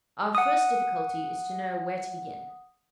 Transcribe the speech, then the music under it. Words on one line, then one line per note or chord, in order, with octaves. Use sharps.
Our first difficulty is to know where to begin.
F#5 D#6